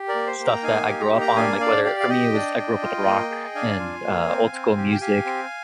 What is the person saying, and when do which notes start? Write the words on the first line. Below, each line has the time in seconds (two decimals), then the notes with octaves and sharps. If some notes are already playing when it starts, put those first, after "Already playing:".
stuff that I grew up on, like, whether for me, it was I grew up with rock and, uh, old-school music
Already playing: G4
0.08 A#4 D5
0.15 A#3
0.27 C5
0.39 A#3
0.45 G5 A#5
0.63 D#4 F5 G#5
0.87 G4
1.00 A#5
1.12 A#3
1.21 G5 A#5
1.36 D4 F5 G#5
1.61 D4 D5 F5
1.84 G4 D5 F5
2.00 F5
2.09 G4 D#5 G5
2.34 D4
2.58 D4
2.82 F4
3.06 A#3
3.31 G#4
3.55 D4 F5 G#5
3.79 F4
4.04 A#3
4.28 C4
4.52 C4
4.77 G4
4.92 G5
5.01 G4 F5 G#5
5.25 C4